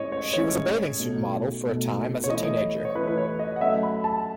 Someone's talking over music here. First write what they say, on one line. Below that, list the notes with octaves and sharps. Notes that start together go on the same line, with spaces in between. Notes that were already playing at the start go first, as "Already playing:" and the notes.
She was a bathing suit model for a time as a teenager.
Already playing: A2 G#3 C#4 E4 C#5 D#5
C#5
A2 G#3 C#4 E4 C#5
B2 A3 D#4
B2 A3 D#4
C#5
E3 A3 E4 D#5
C#5
E3 A3 E4 B4
B4
C#5
D#5
F#5
F#3 A3 C#4 E5
B5
A5